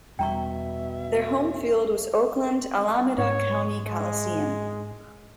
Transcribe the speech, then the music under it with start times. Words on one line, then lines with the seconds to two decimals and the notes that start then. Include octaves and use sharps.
Their home field was Oakland-Alameda County Coliseum.
0.19 E2 B2 G3 E5 G5 A#5 C#6
3.18 G#2 C#5
3.86 G#3